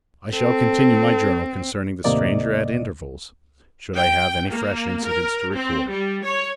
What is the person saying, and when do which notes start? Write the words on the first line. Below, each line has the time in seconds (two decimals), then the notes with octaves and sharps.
I shall continue my journal concerning the stranger at intervals, should I have any fresh incidents to record.
0.34 C4 A4
2.04 D#2 A2 C3 A#3 D5 D#5
3.96 G5
4.51 A#3
5.05 A#4
5.54 C4
5.90 G3
6.24 C#5